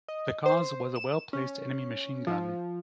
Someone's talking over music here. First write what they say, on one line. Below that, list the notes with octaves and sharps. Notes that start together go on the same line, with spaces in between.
The cause was a well placed enemy machine gun.
D#5
C5
E7
C#4
F3